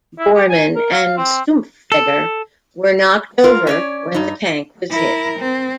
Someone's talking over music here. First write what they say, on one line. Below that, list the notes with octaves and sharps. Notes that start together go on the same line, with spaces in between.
Bormann and Stumpfegger were "knocked over" when the tank was hit.
E4
G4
G#5
A#4
F5
C4
A4
F4 A#4
C#4 C#5 D5
G2 D#4
E4 A#4
C4